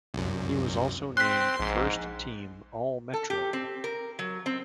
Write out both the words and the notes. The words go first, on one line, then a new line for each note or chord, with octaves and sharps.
He was also named First Team All-Metro.
C2 F#2
C4 C6 F#6 B6
A#1 G#2
A4
G4
C4
A#4
F#3
C4